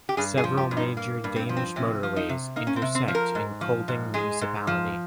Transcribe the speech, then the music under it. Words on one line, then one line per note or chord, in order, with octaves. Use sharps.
Several major Danish motorways intersect in Kolding municipality.
G4
G2 G#4
G#4
F3
G4
G2
D#4
A#3
G2
C4
F3
C4
C3 C#4
F3
D#4
C3
A#3 D#4
C#4
C4
C3
C4
F3
A#4
G#2
F3
G#2
G#3 G#4
G#2
F3